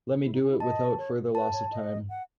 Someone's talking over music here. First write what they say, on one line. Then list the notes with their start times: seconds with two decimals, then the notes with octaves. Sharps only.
Let me do it without further loss of time.
0.24 E4
0.33 D#4
0.42 C#4
0.51 E4
0.60 D#5 A5
0.98 C#5
1.35 B4 A5
1.53 C#5
1.72 D#5
2.10 F#5